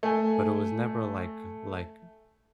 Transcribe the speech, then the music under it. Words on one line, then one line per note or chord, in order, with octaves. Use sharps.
but it was never, like uh, like,
A3 G#5